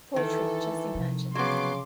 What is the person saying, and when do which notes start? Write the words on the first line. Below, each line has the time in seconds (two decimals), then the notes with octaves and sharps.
Poetry, just imagine!
0.16 D#3 E3 A4
0.95 C3 F3
1.35 C#3 F#3 B3 C6 D6